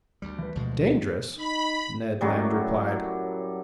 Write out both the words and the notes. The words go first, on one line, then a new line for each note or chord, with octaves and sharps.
"Dangerous?" Ned Land replied.
D2 G3
E3 B4
D2 B2 E3 F3 G#3
D#4 B5
F#2 A2 F#3 G3